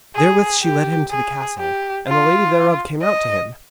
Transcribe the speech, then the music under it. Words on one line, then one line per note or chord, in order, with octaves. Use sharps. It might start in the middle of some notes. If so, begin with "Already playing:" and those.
Therewith she led him to the castle, and the lady thereof came out to him.
G#4
G4
G#4
G4
F4
D#5